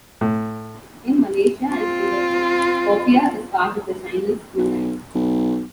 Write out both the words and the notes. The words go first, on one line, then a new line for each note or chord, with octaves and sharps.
In Malaysia and Singapore, "popiah" is part of the Chinese cuisine.
A2
C4 F4
B1
B1